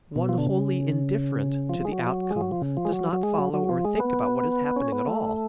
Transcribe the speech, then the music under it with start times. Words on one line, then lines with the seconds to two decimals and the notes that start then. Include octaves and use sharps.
One wholly indifferent to the outcome does not follow or think about what is happening at all.
0.16 B2
0.29 F3
0.38 D3
0.47 C#3
1.69 F3
1.85 G#3
1.92 F#3
1.99 F3
2.07 F#3
2.31 G#3
2.36 F3
2.41 F#3
2.51 F3
2.62 C#3
2.77 F3
2.85 G#3
2.92 F#3
3.13 F#3
3.23 G#3
3.38 F#3
3.54 F#3
3.69 F3
3.85 G#3
4.00 B3
4.76 C#4
4.92 B3
5.07 A3